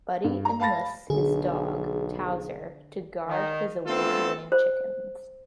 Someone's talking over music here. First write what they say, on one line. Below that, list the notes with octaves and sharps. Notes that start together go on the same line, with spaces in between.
Buddy enlists his dog, Towser, to guard his award-winning chickens.
G2
A#5
F5 A5 B5 A6 A#6
B1 D3 G#4
D#3
A3 B3 C4 D4 F4 A4
C5